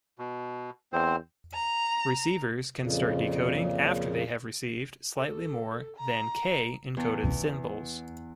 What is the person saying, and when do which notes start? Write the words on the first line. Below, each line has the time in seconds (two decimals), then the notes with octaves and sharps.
Receivers can start decoding after they have received slightly more than "k" encoded symbols.
0.19 B2
0.93 E2 C4 C5
1.54 A#5
2.78 F2 A#2 C#3
5.17 A4
5.96 A#5
6.97 E2